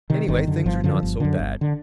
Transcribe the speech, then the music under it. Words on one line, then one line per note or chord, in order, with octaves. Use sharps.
Anyway, things are not so bad.
C3 D#3
G1 D#3
F#2 D3
G1 F3
F#2 D3 F3
G1
F#2 D3
G1
D3